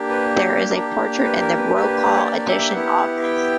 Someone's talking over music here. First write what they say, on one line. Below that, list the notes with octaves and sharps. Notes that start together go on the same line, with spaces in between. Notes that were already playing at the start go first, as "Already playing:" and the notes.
There is a portrait in the "Brokaw Edition"s office.
Already playing: A#3 D4 G4
B4
A#3 D4 G4
B4
A#4
B4
A#3 D4 G4 B4
C#5
D5
E5
B3 E4 G4 F#5
G5